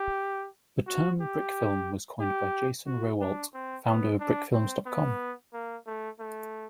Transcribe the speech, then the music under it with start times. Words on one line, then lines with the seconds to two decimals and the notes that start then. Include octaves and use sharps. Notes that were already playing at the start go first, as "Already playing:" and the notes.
The term 'brick film' was coined by Jason Rowoldt, founder of Brickfilms.com.
Already playing: G4
0.87 F#4
1.21 G4
2.21 G4
2.87 F#4
3.21 D4
3.54 C4
3.86 B3
4.20 D4
4.53 C4
4.86 B3
5.53 A#3
5.87 A3
6.20 A3